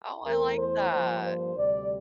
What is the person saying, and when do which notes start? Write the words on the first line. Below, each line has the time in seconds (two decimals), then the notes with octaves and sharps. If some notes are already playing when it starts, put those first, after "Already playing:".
Oh, I like that.
0.23 E2 E3 A3 A#4
0.57 C5
0.90 G2 F3 A#3 C5
1.23 C5
1.55 D2 C3 G3 D5